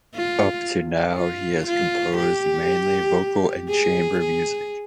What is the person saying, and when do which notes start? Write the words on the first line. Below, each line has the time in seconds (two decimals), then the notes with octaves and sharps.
Up to now he has composed mainly vocal and chamber music.
0.15 F4
1.16 F4
1.67 F4
2.17 G4
3.69 G#4
4.20 G#4